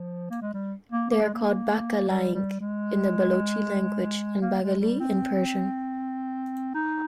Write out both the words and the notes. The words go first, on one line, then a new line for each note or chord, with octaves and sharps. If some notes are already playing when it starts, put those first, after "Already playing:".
They are called "bakalaink" in the Balochi language, and "baghalee" in Persian.
Already playing: F3
A#3
G#3
G3
A#3
A#3
G#3
A#3
G3
G3
G#3
A#3
G#3
G3
C4
D#4